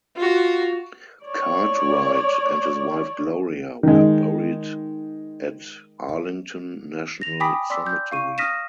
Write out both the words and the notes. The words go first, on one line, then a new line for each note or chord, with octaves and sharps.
Cartwright and his wife Gloria were buried at Arlington National Cemetery.
F4 F#4
C#5 D5
D#3 G#3
A#6 F7
G5 G#5 B5 D6 D#6 B6
D5 C6 D6 E6 B6
G6
F5 C#6 D#7
D#6 F6 A#6 B6 D#7 E7